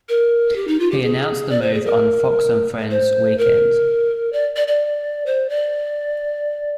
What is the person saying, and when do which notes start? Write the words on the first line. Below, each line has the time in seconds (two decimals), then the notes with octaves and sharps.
He announced the move on "Fox and Friends Weekend".
0.09 A#4
0.56 G4
0.68 D#4
0.80 F4
0.91 G4
1.03 G#4
1.50 D5
1.62 C5
1.74 G#4
1.86 A#4
2.91 C5
3.38 A#4
4.33 D5
4.56 D5
4.68 D5
5.26 C5
5.50 D5